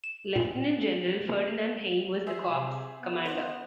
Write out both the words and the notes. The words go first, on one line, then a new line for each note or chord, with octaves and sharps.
Lieutenant General Ferdinand Heim was the corps commander.
E7
A#2
G#4 C5 E5
C3
B3
C5